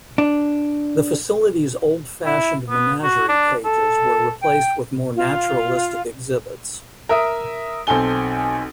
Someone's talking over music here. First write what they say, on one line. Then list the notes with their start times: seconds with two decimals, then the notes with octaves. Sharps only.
The facility's old-fashioned menagerie cages were replaced with more naturalistic exhibits.
0.18 D4
2.26 E4
2.70 B3
3.03 F#4
3.29 D4
3.65 A4
4.42 G5
5.15 F4
7.09 A#4 E5 D#6
7.87 B1 C4 A4 G#5 G7